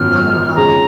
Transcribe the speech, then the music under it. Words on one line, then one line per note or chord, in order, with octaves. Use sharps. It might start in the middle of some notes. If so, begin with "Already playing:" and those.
I don't know how
Already playing: G#1 F#2 F3 B3 F6
F2 C#3 G#3 A#5